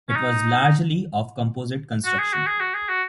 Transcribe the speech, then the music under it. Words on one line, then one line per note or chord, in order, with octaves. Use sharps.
It was largely of composite construction.
C#4
D#4
F#4
G#4
F#4
G#4
F#4
G#4
F#4